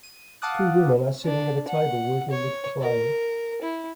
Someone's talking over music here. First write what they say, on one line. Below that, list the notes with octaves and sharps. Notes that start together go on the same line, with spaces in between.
Two woman are sitting at a table working with clay.
D#7
F5 F#5 A5 D6 D#6 F#6
D4
F#5
C#5
A#4
E4